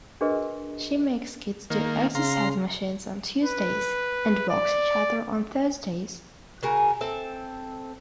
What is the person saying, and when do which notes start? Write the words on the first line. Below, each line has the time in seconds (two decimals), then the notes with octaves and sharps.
She makes kids do exercise machines on Tuesdays and box each other on Thursdays.
0.21 D4 F#4 G#4 A#4 B4 D#5
1.70 D#3 A#3
2.15 C#3 F5 A#5 C6
3.44 B4
4.49 D5
6.63 C#3 F#4 A#4 G#5
7.01 C4 A4 E5